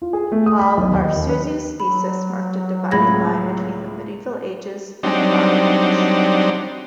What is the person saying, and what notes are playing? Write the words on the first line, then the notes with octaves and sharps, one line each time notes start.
Al-Arsuzi's thesis marked a dividing line between the Medieval Ages and the Modern Age.
F4
G#4
A3
D#6
B5
B1
D#2
D#5
D#2
B4
F#3 B5
C#2 A2 G#3 B5 G#6 A#6
F#3 G3 C4 D4 D#4